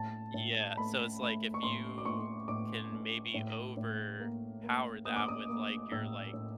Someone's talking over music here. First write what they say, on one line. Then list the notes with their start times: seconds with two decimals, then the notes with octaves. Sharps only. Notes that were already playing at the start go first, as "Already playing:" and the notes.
Yeah, so it's like, if you can maybe overpower that with, like, your, like,
Already playing: A2 A5
0.34 A2
0.77 A3 B5
1.21 A3
1.54 C#6
1.63 A2 C6
1.98 D6
2.05 A2 C#6
2.48 A2 D6
2.92 A3
3.34 A2
3.77 A2
4.20 A#3
4.63 A#3
5.05 A#3 D#6
5.16 D6
5.28 D#6
5.48 A#3
5.92 A2 E6
6.34 A2